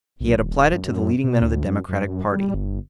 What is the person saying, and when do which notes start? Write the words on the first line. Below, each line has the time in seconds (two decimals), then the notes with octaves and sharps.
He had applied it to the leading men of the Democratic party.
0.20 B1
0.38 D#1
0.74 F#2
1.24 B2
1.42 D2
1.66 F#2
1.89 F#2
2.32 G3
2.54 G1